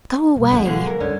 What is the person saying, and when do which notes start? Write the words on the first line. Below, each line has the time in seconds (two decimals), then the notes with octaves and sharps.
Go away!
0.36 B2 G3
0.52 D3 F3 F#3 B3
0.65 B2 D3 G#3 G#4 F5
0.87 G#2 A#4
1.00 G2 D3 C#4